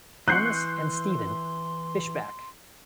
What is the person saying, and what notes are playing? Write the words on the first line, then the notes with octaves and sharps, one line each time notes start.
Thomas and Stephen Fishbach.
E3 C6 C#6 F#6 G6 C7